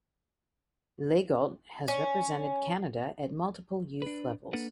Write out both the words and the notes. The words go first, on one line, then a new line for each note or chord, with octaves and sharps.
Legault has represented Canada at multiple youth levels.
C#4
D4 B4
A#3 D4 A4 B4 F#5